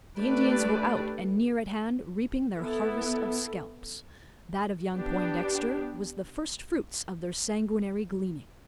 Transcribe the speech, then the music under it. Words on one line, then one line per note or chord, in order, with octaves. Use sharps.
The Indians were out, and near at hand, reaping their harvest of scalps! That of young Poindexter was the firstfruits of their sanguinary gleaning!
A3 D4 G4 B4 D5
B3 E4 A4
B3 D4 G4